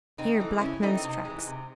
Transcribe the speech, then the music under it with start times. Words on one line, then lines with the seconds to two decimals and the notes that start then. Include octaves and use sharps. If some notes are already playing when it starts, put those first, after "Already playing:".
Here black man's tracks.
0.18 C#3 C4 D#4
0.40 E3 A3
0.61 C#3 C#4 E4
0.83 E3 A3 C4 D#4
1.03 C3
1.25 E3 G#3
1.47 C3